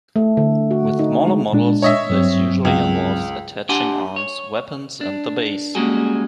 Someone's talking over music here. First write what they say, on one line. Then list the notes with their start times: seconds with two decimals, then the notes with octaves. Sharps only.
With smaller models this usually involves attaching arms, weapons and the base.
0.16 A3
0.37 D3
0.71 F#4
0.99 D#4
1.27 G#3
1.53 A#2 G#3 D4
1.82 C#5 D#5 E5
2.10 G2 F#3 C4
2.65 C#2
3.69 D4 G4 F#5 G#5 C6
4.16 C#5
5.01 D4
5.75 G3 G#3 A#3 C#4 F#4 G#4